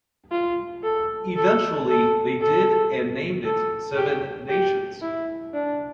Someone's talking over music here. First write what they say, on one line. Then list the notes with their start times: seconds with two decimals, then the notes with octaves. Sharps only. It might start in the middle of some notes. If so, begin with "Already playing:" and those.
Eventually they did and named it Seven Nations.
0.32 F4
0.83 A4
1.36 A4
1.88 A4
2.40 A4
3.45 A4
3.97 G4
4.49 G4
5.02 E4
5.54 D4